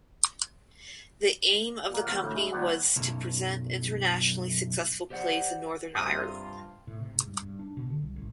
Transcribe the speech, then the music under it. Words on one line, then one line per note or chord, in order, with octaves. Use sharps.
The aim of the company was to present internationally successful plays in Northern Ireland.
A#2 A#3
E2 F3 F5 F#5
D2 A2
G#3 E4
D#2 G3 C5 D5 F#5
B1 F#2
G4 C5 D5 F5 F#5
G2 C3 F4 D#6
A2
C3
G#2
G2
G2
D4
B2
D3
C2
A1